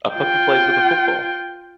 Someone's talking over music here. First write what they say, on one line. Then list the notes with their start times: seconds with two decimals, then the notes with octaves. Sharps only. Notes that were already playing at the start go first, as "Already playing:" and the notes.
A puppy plays with a football.
0.14 F4 G5